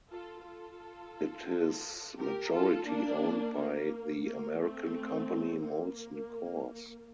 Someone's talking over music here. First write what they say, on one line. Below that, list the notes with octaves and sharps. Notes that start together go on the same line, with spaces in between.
It is majority owned by the American company Molson Coors.
F4 A4
F4 A4
G4 A#4
F4 A4
A#3 D4
A#3
A#3
A3 C4
A#3